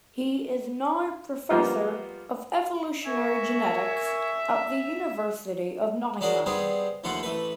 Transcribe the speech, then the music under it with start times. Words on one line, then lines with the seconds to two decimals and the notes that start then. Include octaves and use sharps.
He is now Professor of evolutionary genetics at the University of Nottingham.
1.50 F3 G3 A#3 B3 F4
3.05 A#4 E5 G#5 C#6
6.21 C#4 D4 F4 F#4 G#4 A#4
6.46 G3 B3 C4 G#4
7.04 D#2 F3 A3 F4 F#5
7.23 A1 A3 B4